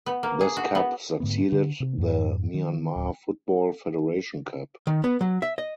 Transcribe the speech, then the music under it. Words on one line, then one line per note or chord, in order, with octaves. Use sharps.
This cup succeeded the Myanmar Football Federation Cup.
B3
A#3
G#4
F#4
B3
G#2 D3 A3 B3
D3
C3
F2 G#2
D#3
D1
D#3
B3
F#3
E5
D#5